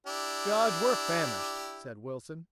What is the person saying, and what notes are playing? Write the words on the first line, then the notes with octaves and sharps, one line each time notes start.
"Judge, we're famished," said Wilson.
D4 E4 G4